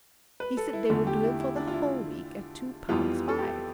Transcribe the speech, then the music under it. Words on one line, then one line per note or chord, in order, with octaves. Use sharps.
He said they would do him for the whole week at two pounds five.
B4
A4
E4
E2 D3 A3 F4
G4
E4
E4
D4
F4
E4
F2 E3 G3 B3 F4
A4
G4